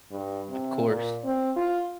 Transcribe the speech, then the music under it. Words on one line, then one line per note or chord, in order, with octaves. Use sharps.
Of course.
G2
C3
A#2
C4
F4